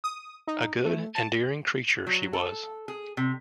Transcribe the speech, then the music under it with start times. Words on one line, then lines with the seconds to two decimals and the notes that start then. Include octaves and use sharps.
A good endearing creature she was.
0.04 D#6
0.47 D#4
0.85 A3
1.15 A5
2.07 F#3
2.33 A4
2.88 G#4
3.17 C3